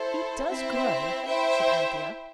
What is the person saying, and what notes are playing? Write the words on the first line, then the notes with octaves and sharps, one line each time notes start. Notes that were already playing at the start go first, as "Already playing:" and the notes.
'He does grow,' said Anthea.
Already playing: E4 A4 C5
C4 E4 C5 E5
E4 C5 E5 G5